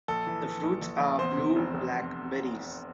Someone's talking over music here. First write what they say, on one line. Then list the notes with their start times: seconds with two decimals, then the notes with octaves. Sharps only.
The fruits are blue-black berries.
0.08 A#1 A4
0.27 E3
0.45 E3
0.63 A#1
0.82 A#1
1.00 A#1
1.19 E2 C5
1.37 C3
1.56 F1
1.74 F1